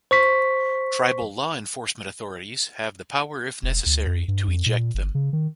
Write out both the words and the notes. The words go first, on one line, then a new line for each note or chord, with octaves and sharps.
Tribal law enforcement authorities have the power if necessary, to eject them.
C5 C#6 B6
E1
D2
F2
G2
F2
A#2
G1
C#3
D#3